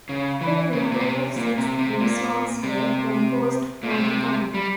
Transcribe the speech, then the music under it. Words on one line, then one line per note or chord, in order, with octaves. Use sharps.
A total of six theme songs were composed for the anime.
C#3
E3
C#3
C3
A#2
C3
A#2
C3
C3
A#2
C3
A#2
C3
G3